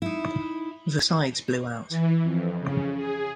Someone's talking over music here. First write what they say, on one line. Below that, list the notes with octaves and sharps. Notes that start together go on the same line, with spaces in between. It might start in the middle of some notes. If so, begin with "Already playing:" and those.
The sides blew out.
D#4 E4
E3
F2
C#3
G#4